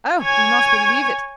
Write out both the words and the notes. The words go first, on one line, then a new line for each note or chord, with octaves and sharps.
Oh! do not believe it!
C#5 G#5